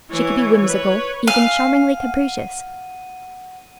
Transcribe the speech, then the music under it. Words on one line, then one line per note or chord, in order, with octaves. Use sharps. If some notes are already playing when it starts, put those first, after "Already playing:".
She could be whimsical--even charmingly capricious.
E3 C#5
B4 C#5
F5 G#5 D#7
F#5